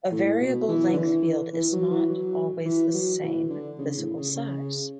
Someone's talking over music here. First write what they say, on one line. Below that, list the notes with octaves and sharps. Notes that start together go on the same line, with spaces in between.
A variable length field is not always the same physical size.
A2
B2
E3
D3
E3
E3
F#3
E3
F#3
E3
F#3
E3
D3
C#3
A2
C#3
C#3